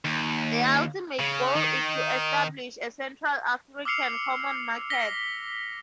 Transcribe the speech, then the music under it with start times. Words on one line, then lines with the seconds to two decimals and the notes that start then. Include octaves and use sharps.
The ultimate goal is to establish a Central African Common Market.
0.05 D#2
1.19 C#3
1.55 D#3
3.85 D6 E6 F6 C7 C#7 F7
4.90 A#6 B6 G7